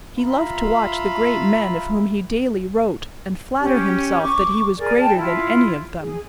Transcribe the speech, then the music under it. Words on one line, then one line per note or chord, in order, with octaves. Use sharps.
He loved to watch the great men of whom he daily wrote, and flatter himself that he was greater than any of them.
F4 E5 A#5 B5
C#4 G4
C#6 D6
G#4 A#4 D5
G5 A5
E4 F4
G#4